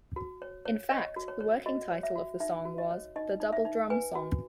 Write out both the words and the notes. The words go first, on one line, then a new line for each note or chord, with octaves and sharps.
In fact, the working title of the song was "The Double Drum Song".
F#4
C#5
C#5
C#5 D#5
F#4
C#5
C#5
F#4 D#5
C#5
E5
F#4
D#4 E5
F#4
D#5
C#5
D#4 D#5
D#4
E5
D#4
B4 G#5
F#4